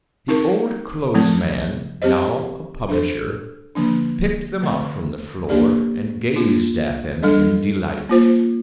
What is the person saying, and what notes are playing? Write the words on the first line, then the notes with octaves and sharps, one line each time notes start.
The old-clothes man, now a publisher, picked them up from the floor and gazed at them in delight.
C4 D#4 A#4
F3 A3 C4
C4 G4 C5 D#5
D4 A4 C5
D3 F3 A#3 D4
D3 A3 C4
A#3 D4 G4 D5
A#3 D4 F4
G3 D4 A4 D#5
A#3 F4 C5